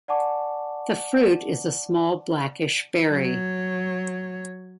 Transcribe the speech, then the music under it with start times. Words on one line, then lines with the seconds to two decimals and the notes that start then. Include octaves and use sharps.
The fruit is a small blackish berry.
0.08 D5 F#5 G#5 A5 C#6 D6
3.11 F#3 C#5